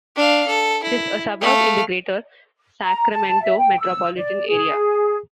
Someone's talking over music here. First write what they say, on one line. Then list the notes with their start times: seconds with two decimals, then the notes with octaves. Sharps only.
It is a suburb in the Greater Sacramento metropolitan area.
0.16 D4 F5
0.47 A4
0.83 E4
1.41 A3 F5
2.82 A#5
3.10 A5
3.42 E5
3.58 G5
3.80 E6
4.16 D5
4.47 G#4